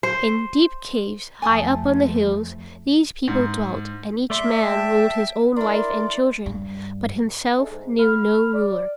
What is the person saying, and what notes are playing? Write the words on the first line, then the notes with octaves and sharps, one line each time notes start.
In deep caves, high up on the hills, these people dwelt, and each man ruled his own wife and children, but himself knew no ruler.
C5
F2 A3 G#5 A5 D#6
G#2
A3 D5 E5 C6
G5 A5
D4 E4 A#4 D5 C6
G2
A3 D4 D#4 G#4 A4
G#2
B5 F6
D5